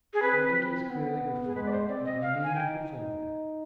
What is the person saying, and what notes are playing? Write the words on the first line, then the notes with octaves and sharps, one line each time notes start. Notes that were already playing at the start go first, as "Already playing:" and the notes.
My duty is clearly before me and I mean to perform it.
G#4
C4 B4
B3
G#4
G#3 B4
D5
C5
C4 D5
D#5
F5
G#5
D#4 G5
D#4